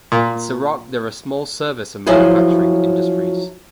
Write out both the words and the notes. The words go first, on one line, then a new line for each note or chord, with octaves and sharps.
In Serock there are small service and manufacturing industries.
A#2
F3 F#3 E4 G#4 B4 C5